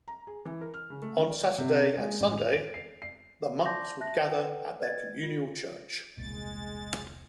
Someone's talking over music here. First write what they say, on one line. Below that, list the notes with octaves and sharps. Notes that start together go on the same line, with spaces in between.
On Saturday and Sunday, the monks would gather at their communal church.
A#5
G#4
E3
A#4
F6
C#3
A3
D#3
D5
C3
G#3
A1
F7
D7
C7
C7
D5 A5 C6 D6 G6 A#6
E5 A5 F#6 A#6
A4 B4 F#5 G5
B4 D5 D#5 G#6 A6
F4
E1 C2 A#2 G#3 A6